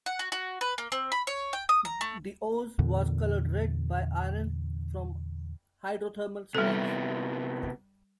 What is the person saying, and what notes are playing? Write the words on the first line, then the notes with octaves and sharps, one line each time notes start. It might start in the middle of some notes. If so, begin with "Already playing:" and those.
The ooze was colored red by iron from hydrothermal springs.
F#5
F#4
F#4
B4
A#3
C4
B5
C#5
G5
D#6
A#5
A3
E2 A#2 D3
C3 G3 B3 E4 A4